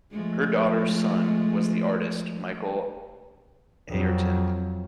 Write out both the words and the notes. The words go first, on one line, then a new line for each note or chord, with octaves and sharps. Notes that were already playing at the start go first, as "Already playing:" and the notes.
Her daughter's son was the artist, Michael Ayrton.
F3 G#3 A3
F2 F#3